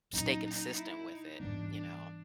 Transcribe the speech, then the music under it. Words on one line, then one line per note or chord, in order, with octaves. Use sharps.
stay consistent with it, you know.
A#2 F#3 A#3 C#4 D#4
D#4
E4
D#4
G#2 E3 G3 B3 D4
D4